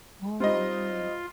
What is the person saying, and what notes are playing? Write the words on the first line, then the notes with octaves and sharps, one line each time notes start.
Oh my.
G3 C4 D#4 F4 D#5